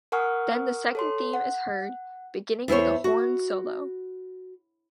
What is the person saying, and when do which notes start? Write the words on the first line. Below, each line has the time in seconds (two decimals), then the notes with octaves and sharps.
Then the second theme is heard, beginning with a horn solo.
0.12 A#4 F#5 G#5 C#6 D#6 F6
0.95 A4 C#5 C6
1.34 F#5
2.68 E2 E4 C5 C#5
3.04 F#4